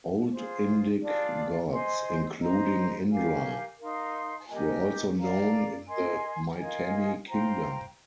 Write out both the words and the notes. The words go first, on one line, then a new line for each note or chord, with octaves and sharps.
Old Indic gods, including Indra, were also known in the Mitanni kingdom.
F4 G#4 C5
D4 F4 G#4 D5
C5 D#5 G#5 C6
C5 D#5 A#5
G4 A#4 F5 G#5
D#4 A#4 F5 C6
G4 A#4 D#5 G#5
A#4 D5 F5 A#5
A#4 D#5 G#5 C6
F4 A#4 D#5 G#5
F4 C5 G5 A#5